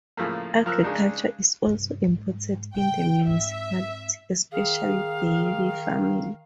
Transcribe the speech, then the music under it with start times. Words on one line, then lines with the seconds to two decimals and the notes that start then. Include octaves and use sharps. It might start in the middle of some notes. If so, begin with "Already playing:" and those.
Agriculture is also important in the municipality, especially dairy farming.
0.17 A2 C#3 F3 A3 A#3
0.66 F3 A#4 E6 F#6
0.83 C#3 G#3 D4 D#4
1.66 G2 C3
2.08 G#2
2.74 A2 C#3 G5
3.27 G#2 C4 E5
4.52 D#3 G#4 F5